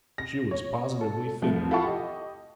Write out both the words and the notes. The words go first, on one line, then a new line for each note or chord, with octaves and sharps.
She was positively thinner.
A#6
C#5
A4
C2 F3 A3
E4 F4 A4 F#5 A5 C#6
G4 D#5